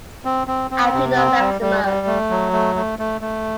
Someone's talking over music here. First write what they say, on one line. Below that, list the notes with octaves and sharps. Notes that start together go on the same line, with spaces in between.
I do not, Maximus.
C4
C4
C4
C3
C4
G3
G3
G3
A3
F#3
A3
A3
A3
A3